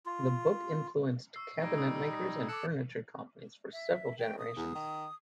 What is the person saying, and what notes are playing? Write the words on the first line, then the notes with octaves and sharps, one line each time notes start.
The book influenced cabinet makers and furniture companies for several generations.
F4
C#6 E6 C7
G3 D#4 G#6 A#6 D7
D#6
E6
A4 D6 E6 F#6 C#7
E5
G5
D#6
E2
D#3